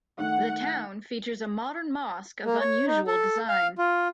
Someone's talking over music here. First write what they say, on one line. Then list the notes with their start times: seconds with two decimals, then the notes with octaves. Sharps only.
The town features a modern mosque of unusual design.
0.19 D#3 A3 F#5
2.46 A#3
2.60 C#5
2.87 D#4
3.07 A4
3.48 F5
3.78 F4